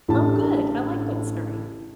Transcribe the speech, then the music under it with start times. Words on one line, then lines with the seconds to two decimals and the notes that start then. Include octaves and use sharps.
Oh, good. I like that story.
0.08 A1 A2 D3 D4 G4 A5